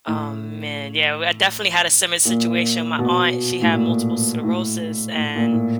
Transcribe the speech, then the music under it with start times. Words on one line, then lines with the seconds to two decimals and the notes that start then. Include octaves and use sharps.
Oh, man, yeah, well, I definitely had a similar situation, my aunt, she had multiple sclerosis and,
0.07 A2
2.25 A#2
2.99 B2
3.62 A2
3.72 A#2
4.43 A2
5.16 A2
5.35 A#2
5.53 A2